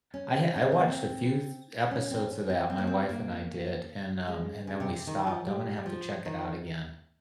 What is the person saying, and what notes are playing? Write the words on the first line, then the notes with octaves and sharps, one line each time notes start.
I ha I watched a few th episodes of that, my wife and I did, and, um, and then we stopped. I'm gonna have to check it out again.
C#4
C#4
C#4
C4
A#3
C4
C#4
C4
C#4
C4
C4
A#3
C4
A#3
G#3
C#3
C3
C3
D#3
F3
G3
G3
F3
D#3